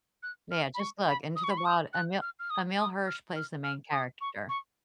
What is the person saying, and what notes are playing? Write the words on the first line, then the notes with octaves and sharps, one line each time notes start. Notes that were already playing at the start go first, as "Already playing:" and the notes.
Yeah, just look, Into the Wild. Emil Emile Hirsch plays the main character.
F#6
F6
B5
C#6
B5
D#6
C#6
B5
C#6
D#6
F#6
F6
F6
D#6
D#6
F6
F6
F6
D#6
C#6
C#6